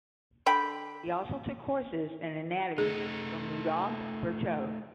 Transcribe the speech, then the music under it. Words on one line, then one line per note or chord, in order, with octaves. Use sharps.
He also took courses in anatomy from Rudolf Virchow.
D3 G5 B5
A3 D#4 G#4